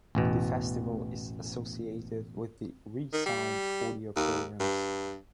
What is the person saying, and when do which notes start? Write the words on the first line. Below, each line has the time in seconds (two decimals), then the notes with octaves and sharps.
The festival is associated with the "Re:sound" audio programs.
0.15 A1 E2 B2
3.13 D#3
3.26 G3
4.16 D#2
4.60 G2